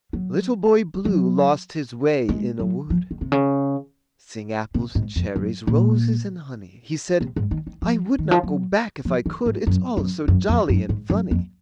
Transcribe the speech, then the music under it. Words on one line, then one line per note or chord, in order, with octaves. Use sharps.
Little Boy Blue lost his way in a wood. Sing apples and cherries, roses and honey; He said, "I would not go back if I could, It's all so jolly and funny."
F#3
F#3
G#3
F#3
F3
D#3
C3
C#3
C3
G#2
F2
F#2
A#2
C3
G#2
D#3
D#3
F3
D#3
F3
F#3
F3
D#3
G#2
F#2
F#2
F#2
F2
F#2
G#2
F#2
F2